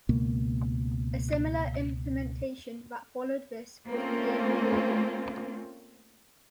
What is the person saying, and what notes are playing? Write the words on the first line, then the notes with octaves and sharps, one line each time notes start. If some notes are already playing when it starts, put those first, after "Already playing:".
A similar implementation that followed this was the game Core War.
C#2 B2 A#3
A3 A#3 C4 C#4 F4